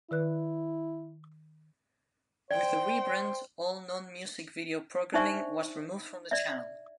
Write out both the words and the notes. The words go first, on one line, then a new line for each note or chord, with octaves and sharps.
With the rebrand, all non-music video programming was removed from the channel.
D#3 E4 B4 F#6
C5 D5 G5
D4 D#4 C5 D5 E5 C#6
D5 E5